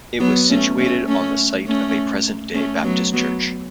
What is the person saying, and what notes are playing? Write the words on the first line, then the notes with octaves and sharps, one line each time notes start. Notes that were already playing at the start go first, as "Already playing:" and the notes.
It was situated on the site of a present-day Baptist church.
F#3 B3
A3 C#4
A3 C#4
A3 C#4
A3 C#4
A3 C#4
F#3 B3
F#3 B3